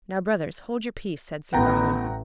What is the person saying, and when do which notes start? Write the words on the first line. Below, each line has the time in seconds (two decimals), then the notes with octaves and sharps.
"Now, brothers, hold your peace," said Sir Gawain.
1.53 A1 B3 F#5 G5 A#5